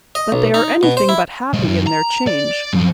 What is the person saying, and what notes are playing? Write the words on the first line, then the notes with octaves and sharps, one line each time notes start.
But they are anything but happy in their change.
D#5
B1
D#4
B2
C5
E4
B1 G#3
F#2
A#5
D5
F#2 F3